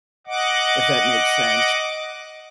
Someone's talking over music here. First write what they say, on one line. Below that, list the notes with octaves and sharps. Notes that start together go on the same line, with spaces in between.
if that makes sense.
D#5 F#5 D6